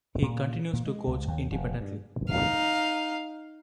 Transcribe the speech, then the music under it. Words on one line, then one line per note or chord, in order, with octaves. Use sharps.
He continues to coach independently.
A#2
A#2
G#3
C#2
D#2
F1
G2
D#4 F5